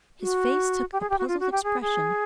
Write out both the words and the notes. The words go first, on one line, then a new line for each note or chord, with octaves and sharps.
His face took a puzzled expression.
F#4
G4
G#4
G4
F#4
F4
F#4
G4
G#4
G#4